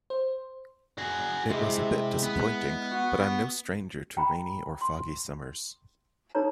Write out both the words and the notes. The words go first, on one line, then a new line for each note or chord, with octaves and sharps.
It was a bit disappointing, but I am no stranger to rainy or foggy summers.
C5
F#4 G#4
C3 G#3 E4
B3
F#4
G5 A#5 B5
C6
D#4 A4 B4 C#5 A#5